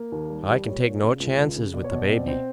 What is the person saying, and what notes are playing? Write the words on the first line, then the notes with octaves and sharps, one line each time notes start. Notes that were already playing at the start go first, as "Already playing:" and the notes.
"I can take no chances with the baby."
Already playing: A#3
D#2
G3
G3
A#2 C#5
A#2
C#3
C#2
C#2
C#3
B2 D5
C#5
B2 D5
C4 D5
C4